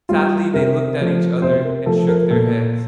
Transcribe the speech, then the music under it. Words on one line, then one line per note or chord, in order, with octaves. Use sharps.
Sadly they looked at each other and shook their heads.
G3 F4
C3 A#4
F3 A3
C3 C5
A#4
F3 A3 A4
A#4
A#2 A4